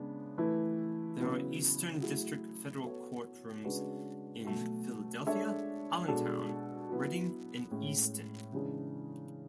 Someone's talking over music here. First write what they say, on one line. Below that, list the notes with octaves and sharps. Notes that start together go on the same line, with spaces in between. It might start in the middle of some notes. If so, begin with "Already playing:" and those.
There are Eastern District federal courtrooms in Philadelphia, Allentown, Reading, and Easton.
Already playing: C#3 G#3 B3 D4
E3 A3 E4 B4
C#3 F#3 B3 E4
F#3 A3 E4 G#4
B3 F#4 A4 C#5
C#3 G#3 D4 F#4 B4
B2 F#3 A3
G#3 D4 A4 C#5 E5
B2 G#3 D4 A4
F#3 B3 E4
A2 G#3 C#4
C#3 E3 G#3 D4 G#4